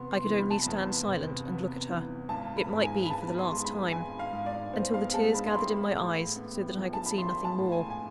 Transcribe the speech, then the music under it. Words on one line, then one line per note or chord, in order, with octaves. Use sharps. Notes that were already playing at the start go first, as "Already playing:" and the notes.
I could only stand silent, and look at her--it might be for the last time!--until the tears gathered in my eyes, so that I could see nothing more.
Already playing: E2 C3 B3 C6
C6
E3
B5
A5
E2 B5
C3
B3
E3
G#1 A5
B5
G#2
G#5
B5
B3 A5
C6
G#3
B5
G#1 G#5
F5
G#2
D5
B3 C5
F5
G#3 A5
B5
C6
A1 B5
A2
B3
F3
A5
B5
A1 C6
A5
A2
G#5
G#5